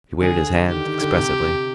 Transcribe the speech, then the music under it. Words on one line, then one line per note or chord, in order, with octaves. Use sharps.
He waved his hand expressively.
D3 G#4
D#3 G4
D#3
D3
C3